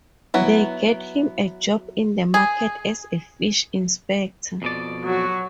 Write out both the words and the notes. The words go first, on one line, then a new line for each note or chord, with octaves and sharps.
They get him a job in the market as a fish inspector.
F#3 B3 E4
G#4
F2 B2 D5
F#3 F#4